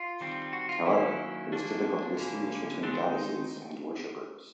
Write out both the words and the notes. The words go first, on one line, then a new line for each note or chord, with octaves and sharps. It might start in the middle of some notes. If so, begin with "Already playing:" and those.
However, it is difficult to distinguish between goddesses and worshippers.
Already playing: F4
D#3 G3 C4
F#4
F4
D#3 F#3 A#3 C#4 E4
F3 A#3 C#4 D4
D3 G3 A#3 C#4
D#3 G#3 C4 D4
D#4